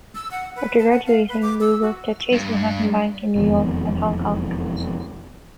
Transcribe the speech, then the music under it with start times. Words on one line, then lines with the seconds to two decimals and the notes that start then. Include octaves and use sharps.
After graduating, Woo worked at Chase Manhattan Bank in New York and Hong Kong.
0.15 E6
0.31 F#5
0.56 B4
0.79 A5
0.92 F#5
1.06 F5
1.29 B4
1.42 D6
1.61 E6
1.82 F#4
2.32 G2
3.36 E1 F2 B2 D#3